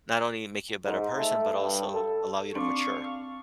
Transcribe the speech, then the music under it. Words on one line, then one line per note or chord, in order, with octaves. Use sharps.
not only make you a better person, but also allow you to mature.
G#2
A3
G2
A4
C4 D4 F5 C#6